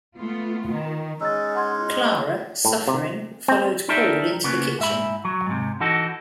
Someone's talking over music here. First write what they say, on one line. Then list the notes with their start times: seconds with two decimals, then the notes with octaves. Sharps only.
Clara, suffering, followed Paul into the kitchen.
0.17 A3 B3 F4
0.74 D#3
1.21 G#3 C#4 D#4 E6 A6
1.55 F#5 C6 G#6
2.65 A2
2.88 C3
3.48 C4
3.88 D#4 F4 G4 A4 D5 E5
4.44 C#3 A#3 B3
4.79 G#2 E5 B5
5.25 F#3
5.46 G#2 C3
5.80 E3 D#4 F#4 A4